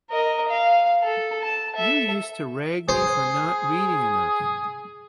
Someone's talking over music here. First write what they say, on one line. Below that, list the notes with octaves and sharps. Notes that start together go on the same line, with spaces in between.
You used to rag me for not reading enough.
A#4 D#5
F5
A4
A5
A4 E5
G#4 C5